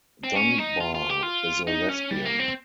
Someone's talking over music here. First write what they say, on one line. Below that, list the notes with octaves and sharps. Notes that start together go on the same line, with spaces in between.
Dunbar is a lesbian.
C4
C#4
D#4
F4
F4
G4
F4
D#4
C#4
G3
A#3
C4